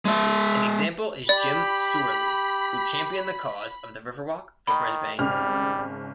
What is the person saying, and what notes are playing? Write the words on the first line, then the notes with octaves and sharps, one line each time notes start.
An example is Jim Soorley who championed the cause of the Riverwalk for Brisbane.
G#3 E5
G4 D5 B5
D#3 B5
G#1 C#3 G3 F6